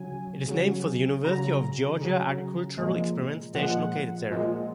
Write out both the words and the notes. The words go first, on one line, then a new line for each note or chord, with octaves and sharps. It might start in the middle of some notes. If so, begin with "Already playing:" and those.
It is named for the University of Georgia Agricultural Experiment Station located there.
Already playing: C#3 F#3 G#5
C#3 F#3
C#3 F#3 A#5
C#3 F#3
A#2 F3 G#3
A#2 F3 G#3 F#5
A#2 F3 G#3